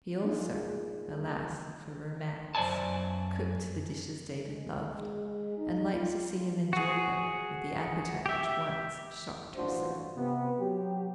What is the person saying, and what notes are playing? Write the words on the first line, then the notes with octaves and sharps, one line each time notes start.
She also--alas, for romance!--cooked the dishes David loved, and liked to see him enjoy them with the appetite which once had shocked her so.
G3 A#3 D4 D#4 F4 G#4
F#2 C5 D5 G#5 A5
G#3
D#4
F4
F#4 G#4
G4 E5
A1 G2 D4 F4 F#4 C5
C3 B3
F#3 G4